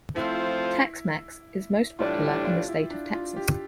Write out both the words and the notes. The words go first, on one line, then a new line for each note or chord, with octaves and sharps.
Tex-Mex is most popular in the state of Texas.
F3 A3 C4 E4 F4 C5
A2 E3 G3 D4 F4
G4
F4
E4
D4
F4
G4